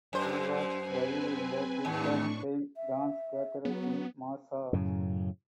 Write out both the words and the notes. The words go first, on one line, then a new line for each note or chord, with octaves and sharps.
He was buried in the crypt of Saint John's cathedral in Warsaw.
F#2 C5
C4 B4 G#5
D#2 A2 D4 C#6
E5
F#3 B3
F#2 A2 C#3